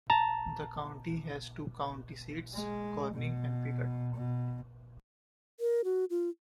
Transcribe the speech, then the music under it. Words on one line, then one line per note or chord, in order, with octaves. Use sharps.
The county has two county seats, Corning and Piggott.
A5 A#5
G#3
B2
B2
A#4
F#4
F4